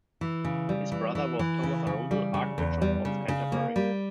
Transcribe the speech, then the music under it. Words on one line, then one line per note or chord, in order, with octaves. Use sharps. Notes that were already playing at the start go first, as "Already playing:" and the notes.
His brother was Thomas Arundel, Archbishop of Canterbury.
E3
C#3
G3
E3
E3
E3
C#3
C#3
G3
C#3
E2
G3
C#3
C#3
A#3
G3